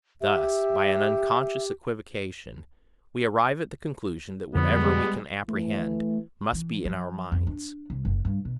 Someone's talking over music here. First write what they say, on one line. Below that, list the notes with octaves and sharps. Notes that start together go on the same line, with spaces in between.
Thus, by an unconscious equivocation, we arrive at the conclusion that whatever we can apprehend must be in our minds.
G4 E5
F2 D3 G3 G#3 B3
E3 A3
E3
F3
F2
D4
C2
F#1
G2
B2